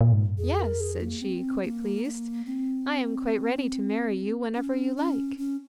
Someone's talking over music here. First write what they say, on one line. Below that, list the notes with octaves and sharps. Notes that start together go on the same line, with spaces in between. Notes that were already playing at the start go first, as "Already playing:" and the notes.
'Yes,' said she, quite pleased, 'I am quite ready to marry you whenever you like.'
A#2
G#2
G2
F2 G#4
A#4
G#4
A#3
C4
A#3
A#3
C4
C#4
C#4
C#4